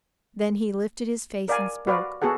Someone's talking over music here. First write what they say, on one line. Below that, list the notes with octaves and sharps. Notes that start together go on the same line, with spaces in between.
Then he lifted his face and spoke.
A#4 D5 F5 G#5
F#4 B4 D5 F5
B3 F#4 G#4 A4 F#5